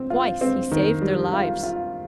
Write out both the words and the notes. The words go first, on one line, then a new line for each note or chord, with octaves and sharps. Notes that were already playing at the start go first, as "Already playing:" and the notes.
Twice he saved their lives.
Already playing: C4
F4
C4
D#3
G3
F4
F4